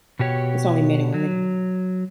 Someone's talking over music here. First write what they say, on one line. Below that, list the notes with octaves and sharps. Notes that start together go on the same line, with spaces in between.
There's only men and women.
B2 F#4 G4 C#5
F#3